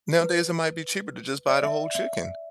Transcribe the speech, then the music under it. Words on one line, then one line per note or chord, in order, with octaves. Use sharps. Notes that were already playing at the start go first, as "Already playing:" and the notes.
nowadays it might be cheaper to just buy the whole chicken.
B4
D5
E5
E5